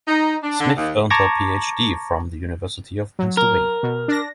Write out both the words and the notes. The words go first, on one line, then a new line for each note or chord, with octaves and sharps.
Smith earned her Ph.D. from the University of Pennsylvania.
D#4
D4
D3
D#2
A5 A#5 C#6 D6 G#6 A#6
F#3
A#4
B2
D4 A#6